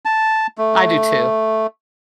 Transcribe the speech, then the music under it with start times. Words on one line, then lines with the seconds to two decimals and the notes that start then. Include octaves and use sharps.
I do too.
0.05 A5
0.58 A3